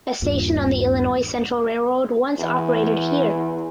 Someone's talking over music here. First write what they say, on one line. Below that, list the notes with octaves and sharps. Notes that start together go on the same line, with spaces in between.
A station on the Illinois Central Railroad once operated here.
D#1 G2 A#2
E2